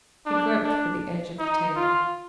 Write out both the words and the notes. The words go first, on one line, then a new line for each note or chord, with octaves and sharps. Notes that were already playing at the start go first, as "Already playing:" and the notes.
She groped for the edge of the table.
D4
D4
D#4
F4